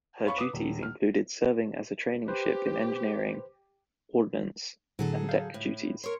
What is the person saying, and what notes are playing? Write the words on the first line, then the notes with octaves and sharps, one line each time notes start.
Her duties included serving as a training ship in engineering, ordnance, and deck duties.
C#5 F5 B5 C#6
B4 D6 D#6
D#1
F6
G4 B4 C5
A2 D3 F#3 G#4 A4
F5 G6
A2
A#4 C#5 C6 C#6 C#7